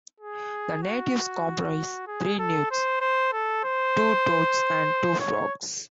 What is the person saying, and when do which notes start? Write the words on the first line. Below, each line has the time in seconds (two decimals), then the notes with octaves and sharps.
The natives comprise three newts, two toads and two frogs.
0.20 G#4
0.83 F#4
2.07 G#4
2.39 A4
2.71 C5
3.01 C5
3.33 A4
3.64 C5
5.20 C#5